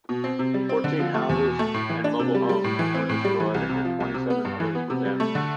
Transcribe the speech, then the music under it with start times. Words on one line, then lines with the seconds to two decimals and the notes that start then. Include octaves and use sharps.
Fourteen houses and mobile homes were destroyed, and twenty-seven others were damaged.
0.09 B2
0.24 C4
0.39 C3
0.54 G3
0.69 C4
0.84 D3
0.99 F3
1.14 A3
1.29 E2
1.44 B2
1.59 A3
1.74 A2
1.89 E3
2.04 D4
2.19 C3
2.34 G3
2.49 G3
2.64 A2
2.79 E3
2.94 C4
3.09 A2
3.25 G3
3.40 E3
3.54 C2
3.69 C3
3.85 F3
4.00 C2
4.14 C3
4.30 B3
4.45 G2
4.60 E3
4.75 B3
4.90 C3
5.05 G3
5.20 A3
5.35 D3